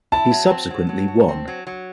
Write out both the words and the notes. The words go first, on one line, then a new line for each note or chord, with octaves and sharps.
He subsequently won.
E4 A5
F#3
C4
F#3
F#3
F#4
C4
F#3
F#3